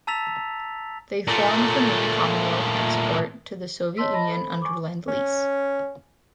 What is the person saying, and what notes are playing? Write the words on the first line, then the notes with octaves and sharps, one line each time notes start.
They formed the main Commonwealth export to the Soviet Union under lend-lease.
A5 A#5 E6 A6 B6 F7
A#2 A3
C#5 D#5 A5 C6 E6 B6
D#5 A5 B5 A#6
A4 C5 B5
G#5 C#6 D6
C#4